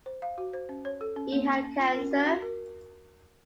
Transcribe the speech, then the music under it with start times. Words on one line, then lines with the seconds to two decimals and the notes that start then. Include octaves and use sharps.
He had cancer.
0.06 C5
0.22 F5
0.38 F#4
0.53 C5
0.69 C#4
0.85 C#5
1.01 A4
1.16 C#4
1.32 A#3 C4
1.48 C#4
1.64 C#4
1.79 F4
1.95 C#4 A#4
2.11 F#4
2.26 F#4
2.42 A#4